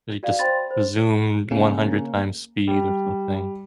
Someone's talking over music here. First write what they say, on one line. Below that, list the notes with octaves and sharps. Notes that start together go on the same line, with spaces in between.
They just zoomed one hundred-times speed or something.
F#4 D5 F5
C5 G5 B5 C6 A6
C5
C#3 A#3 C#4
G3